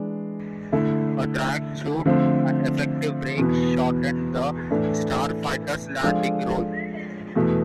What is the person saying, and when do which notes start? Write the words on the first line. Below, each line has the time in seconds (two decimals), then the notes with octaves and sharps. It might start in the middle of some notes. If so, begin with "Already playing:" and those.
A drag chute and effective brakes shortened the Starfighter's landing roll.
Already playing: E3 G#3 D4
0.72 D3 A3 E4 A4
2.06 D3 F3 A3 C4
3.37 E2 B2 B3
4.71 A2 E3 A3 D4
6.03 F3 G#3 D4 F4 A4
7.35 E2 B2 A3